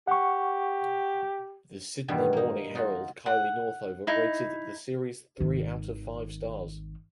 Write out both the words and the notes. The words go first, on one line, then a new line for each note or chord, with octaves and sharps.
The Sydney Morning Herald Kylie Northover rated the series three out of five stars.
G4 F#5 C#6
E2 G2 B2 D#3
A#3 D#4
D#4 F4 F#4
F#5
D#4 E4
G#1 D#3